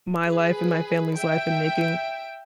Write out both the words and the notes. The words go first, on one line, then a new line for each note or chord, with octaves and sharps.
my life and my family's life, and making
G#4 B4
E5 G5 D7